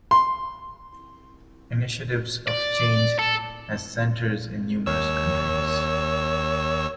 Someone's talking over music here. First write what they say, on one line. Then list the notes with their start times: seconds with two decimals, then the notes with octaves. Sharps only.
Initiatives of Change has centres in numerous countries.
0.11 C6
2.48 D5
3.19 A4
4.86 D#2 C#5 E6